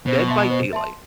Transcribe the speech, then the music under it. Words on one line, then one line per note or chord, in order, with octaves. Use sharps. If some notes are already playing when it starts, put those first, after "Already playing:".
Dead by Daylight.
B2 C5
E5 A5 C6
C5
E5 A5 C6